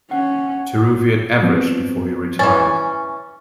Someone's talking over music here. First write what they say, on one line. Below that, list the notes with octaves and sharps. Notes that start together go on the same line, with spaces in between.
Taruffi had averaged before he retired.
C#4 F#5
F3 B3 C4
E3 C#4 A6